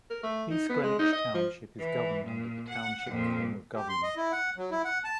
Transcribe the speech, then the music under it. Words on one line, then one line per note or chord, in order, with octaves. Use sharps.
East Greenwich Township is governed under the Township form of government.
A#4
A3
D#4
B3
G#3
D#4
D#5
F3
E3
A#2
F#5
F2 A#2
G4
C6
D#5
E4
F#5
F#3
E4
F#5
A5